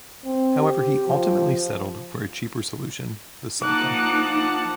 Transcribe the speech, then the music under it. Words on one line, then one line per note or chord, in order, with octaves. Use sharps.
However, he ultimately settled for a cheaper solution, the cycle.
C4
G4
F3
F3 A#3 D#4 F#5 A5 D6 F#6